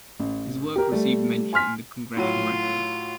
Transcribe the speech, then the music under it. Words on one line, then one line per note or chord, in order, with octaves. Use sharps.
His work received mention in the "Congressional Record".
A1
G4 A#4
G3 A3
G#5 C6 F6 B6
A2 F#3 F4 D#7